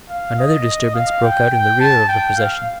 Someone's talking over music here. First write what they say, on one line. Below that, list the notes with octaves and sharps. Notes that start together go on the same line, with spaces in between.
Another disturbance broke out in the rear of the procession.
F5
D#5
F5
G5
G5
A5
G5
F5